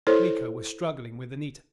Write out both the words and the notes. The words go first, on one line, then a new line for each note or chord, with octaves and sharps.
Miko was struggling with Anita.
E4 A4 C5 C#5